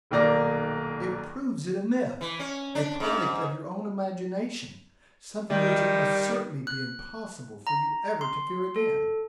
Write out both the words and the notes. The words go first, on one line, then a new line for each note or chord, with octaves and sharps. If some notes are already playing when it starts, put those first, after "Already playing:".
It proves it a myth, a product of your own imagination, something which it must certainly be impossible for you ever to fear again.
D#1 B1 D#3 A#3 D5 A#6
E3
C#4
D4
G#2
D#3 G3
F#6
A#5
C6
A4